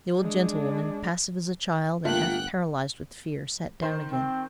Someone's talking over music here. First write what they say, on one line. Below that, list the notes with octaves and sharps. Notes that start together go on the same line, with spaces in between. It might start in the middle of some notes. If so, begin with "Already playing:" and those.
The old gentlewoman, passive as a child and half paralyzed with fear, sat down again.
G#3 D4
G1 A3 A#3 F4 F#5 G5 F#6
D#3 C5
C4